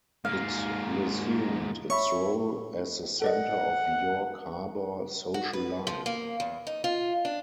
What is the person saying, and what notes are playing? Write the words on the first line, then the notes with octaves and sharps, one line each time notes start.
It resumed its role as the center of York Harbor social life.
G#2 A#3 F5
C#5 E5 B5 C#6
A4 D5 D#5 F#5
F#4
B4
F3
A#3
E2
D#4
F4
D4